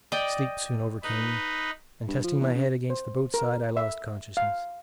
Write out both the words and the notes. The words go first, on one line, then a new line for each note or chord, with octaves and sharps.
Sleep soon overcame me, and testing my head against the boat's side, I lost consciousness.
D5 D#5 G5
D#4 B4
G2
F3
E2
C#3
C5
A#4
E5
F5